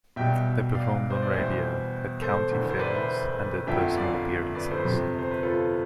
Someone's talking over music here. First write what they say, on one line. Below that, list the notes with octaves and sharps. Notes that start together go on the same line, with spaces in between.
They performed on radio, at county fairs, and did personal appearances.
B1 B2 G3 E5 G5
D5 F5
C5
D5
E2 B2 G3 C5 E5
A4 C5
E1 E2 D3
C5
B4 D5
C5 E5
G1 F2 D3 E5 G5
D5 F5
B4 D5
A4 C5
G1 F2 C3
C5
B4
F4 A4